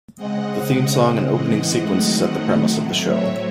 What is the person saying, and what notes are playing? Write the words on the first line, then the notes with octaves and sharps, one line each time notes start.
The theme song and opening sequence set the premise of the show.
C#3 G#3 C4 D#5 F#5
C#3 G#3 C4
A2 E3 G#3 C4 D#5 F#5
D#3 F#3 A3 C4
A2 F#3 A3 C4
A2 F#3 C4 C#5 E5